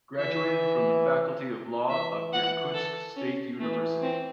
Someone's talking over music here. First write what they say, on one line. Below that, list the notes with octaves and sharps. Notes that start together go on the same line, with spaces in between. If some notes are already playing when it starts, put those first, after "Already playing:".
Graduated from the Faculty of Law of Irkutsk State University.
E3 E5
E3 E5
F#5
A4
C#4
E3 A3
C4